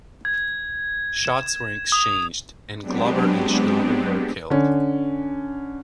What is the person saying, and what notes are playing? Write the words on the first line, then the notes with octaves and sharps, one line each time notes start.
Shots were exchanged, and Glover and Schnabel were killed.
G#6
E7
D#6
F#3 G#3 B3 C4 D4 G4
D3 C#4